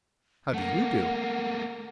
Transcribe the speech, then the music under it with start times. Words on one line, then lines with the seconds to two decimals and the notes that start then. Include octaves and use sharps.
"How do you do?"
0.54 A3 A#3 F#5